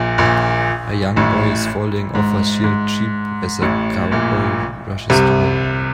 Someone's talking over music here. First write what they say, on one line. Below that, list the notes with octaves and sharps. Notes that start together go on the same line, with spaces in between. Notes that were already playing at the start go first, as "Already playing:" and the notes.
A young boy is falling off a sheared sheep as a cowboy rushes to help.
Already playing: A#1 A#2
A#1 A#2
A1 A2
G#2
G#2
A1 A2
A#1 A#2
C2 C3